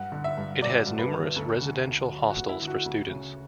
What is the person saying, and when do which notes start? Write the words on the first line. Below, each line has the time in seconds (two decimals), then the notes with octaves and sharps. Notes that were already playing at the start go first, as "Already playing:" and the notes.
It has numerous residential hostels for students.
Already playing: G2 F#5
0.12 D3
0.24 E5
0.37 G2
0.62 F#3 D5
0.86 G2
0.99 B4
1.11 D3
1.36 D2 A4
1.62 D3
1.87 D2
2.11 F#3
2.30 F#4
2.37 D2
2.49 E4
2.62 D3
2.67 F#4
2.86 D2
3.11 C#3